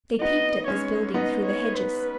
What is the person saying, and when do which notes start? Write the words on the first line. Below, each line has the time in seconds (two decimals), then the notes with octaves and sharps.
They peeped at this building through the hedges.
0.21 B3 D#4 D#5
0.67 G#3 C#4 C#5
1.14 B3 D#4 D#5
1.46 C#5
1.76 B4